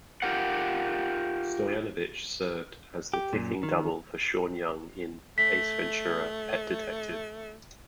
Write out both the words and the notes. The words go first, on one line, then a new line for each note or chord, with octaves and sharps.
Stoyanovich served as the kicking double for Sean Young in "Ace Ventura, Pet Detective".
F4 G4 A#4 F#5
G4
F#2 A#2
D#3
A3 B6